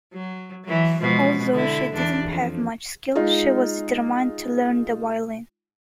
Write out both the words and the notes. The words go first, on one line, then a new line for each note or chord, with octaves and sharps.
Although she didn't have much skill, she was determined to learn the violin.
F#3
E3 F#3
B2 F3 G#3
D3 E4
E2 D4
F2
G#3 D#4 F4